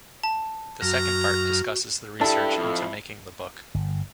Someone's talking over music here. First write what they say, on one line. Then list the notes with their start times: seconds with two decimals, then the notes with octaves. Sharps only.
The second part discusses the research into making the book.
0.23 A5
0.82 F#2 F#4 A#5 F6
2.21 D4 E4 G4 A4 A5
2.57 F2
3.74 G1